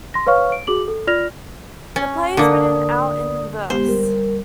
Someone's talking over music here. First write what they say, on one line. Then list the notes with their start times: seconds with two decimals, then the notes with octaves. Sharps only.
The play is written out in verse.
0.14 C6 A#6
0.27 B4 C#5 F5 C#6 F6
0.52 D7
0.67 F#4 G#4 D6 F#7
0.88 A4
1.07 F4 D5 F6 A#6 F7
1.96 C#4
2.37 D3 A#3 D5 D#6
3.70 G#3 B3 G4 C5
3.85 G3 A#4